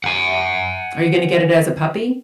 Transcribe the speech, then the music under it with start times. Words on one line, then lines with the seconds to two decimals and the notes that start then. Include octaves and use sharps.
are you gonna get it as a puppy?
0.04 F#5 G#5